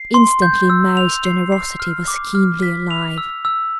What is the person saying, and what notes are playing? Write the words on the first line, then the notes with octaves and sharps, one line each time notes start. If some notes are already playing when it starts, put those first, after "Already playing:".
Instantly Mary's generosity was keenly alive.
Already playing: C7
C6
G6
E6
F7
C7
C7
F6
D6
F6
B6
F7
E6
E6